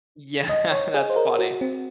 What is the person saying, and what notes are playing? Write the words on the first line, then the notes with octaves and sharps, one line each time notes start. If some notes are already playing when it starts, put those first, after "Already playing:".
Yeah. That's funny.
D#5
C#5
G#4
C5
A#4
F#4
C4